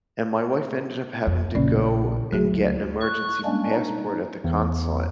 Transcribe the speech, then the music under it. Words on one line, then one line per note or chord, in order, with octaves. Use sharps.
and my wife ended up having to go and get an emergency passport at the consulate.
F2
A#1 C#3 C#4 D5
D2 F#3 F#4 G#4
C#6 F#6
G3 G#3 A#3 C#4 D4
D#4
E2